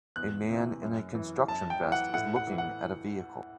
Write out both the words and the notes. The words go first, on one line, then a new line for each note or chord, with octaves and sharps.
A man in a construction vest is looking at a vehicle.
E2 F#6
C3 E3
F#2
E3
F#2 A5
G5
E3
F#5
A2 F#5
F#5
E3
F#5